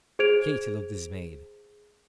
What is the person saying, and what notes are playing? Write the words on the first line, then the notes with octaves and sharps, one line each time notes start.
Katy looked dismayed.
G#4 C5 G#6 D7 F7